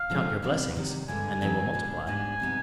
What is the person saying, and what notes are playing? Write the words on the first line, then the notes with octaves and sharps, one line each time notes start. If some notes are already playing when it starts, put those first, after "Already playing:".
"Count your blessings" and they will multiply.
Already playing: F5
D3 F3 G#3 C4
C3 G3 B3 D4
C3 D#3 G3
G2 D3 G#3 G#5
F2 D#3 G3 C4 D#4
B2 G#3 D4
G#2 G3 B3 D4 G#5
C3 G3 B3 D#4